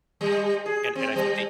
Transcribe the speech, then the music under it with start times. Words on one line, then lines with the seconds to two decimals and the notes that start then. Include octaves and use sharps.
and and I think they
0.21 G3
0.66 G#4
0.95 C4
1.16 G3